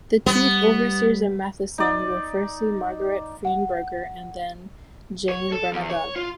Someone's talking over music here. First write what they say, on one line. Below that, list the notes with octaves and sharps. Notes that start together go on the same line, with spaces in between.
The Chief Overseers at Mauthausen were firstly Margarete Freinberger, and then Jane Bernigau.
G3 B3
D#4 D5
F#5
C#5
A4
E2
C#5
F4